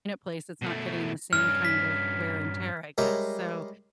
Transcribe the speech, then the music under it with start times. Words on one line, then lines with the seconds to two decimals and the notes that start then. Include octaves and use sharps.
place that's not getting the same kind of wear and tear, I guess, so
0.62 B2 A3
1.33 G2 C#4 F6
1.65 B6
2.98 G3 G#3 G4 A#4 C#5 E5